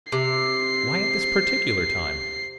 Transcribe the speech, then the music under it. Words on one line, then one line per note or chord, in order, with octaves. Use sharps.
"Why at this particular time?"
C3 C7